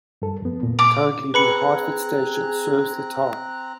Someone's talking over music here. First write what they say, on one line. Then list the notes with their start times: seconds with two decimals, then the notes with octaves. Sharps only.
Currently, the Hartford station serves the town.
0.22 G2 A4
0.42 F2 B3
0.63 A#2
0.79 D6
1.34 C4 G#4 B4 A#5 B5 F#6 C#7